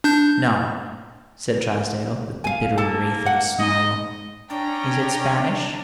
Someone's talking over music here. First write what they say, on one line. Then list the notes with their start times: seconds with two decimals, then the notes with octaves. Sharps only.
"No," said Trysdale, with the bitter wraith of a smile--"Is it Spanish?"
0.04 D4 G6
2.44 F5 G#5
2.78 A#3 A4 A5
3.26 F#5
3.59 D#4 D#5
4.50 C#4 D4 G5 A#5